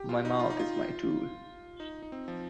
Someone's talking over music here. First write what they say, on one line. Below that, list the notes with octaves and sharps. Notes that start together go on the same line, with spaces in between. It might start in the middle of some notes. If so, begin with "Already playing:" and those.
My mouth is my tool.
Already playing: G4
F4
D#4
F4
D#4
F4
D#4
D#4
C4
F3